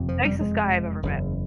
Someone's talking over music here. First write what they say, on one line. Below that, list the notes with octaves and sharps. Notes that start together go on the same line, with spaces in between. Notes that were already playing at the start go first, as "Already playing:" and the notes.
Nicest guy I've ever met.
Already playing: F#1 F2 C3
F3
G3
G#3
F#1 E2 C#3